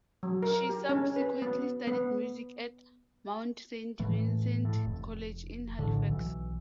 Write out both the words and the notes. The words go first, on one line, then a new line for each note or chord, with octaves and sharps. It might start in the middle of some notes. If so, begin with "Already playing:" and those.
She subsequently studied music at Mount Saint Vincent College in Halifax.
F#3
A#4
G4
C#4
B4
B3
B3
A2 E3 A3
A2
F1
A#1 A2 D3
B1 E3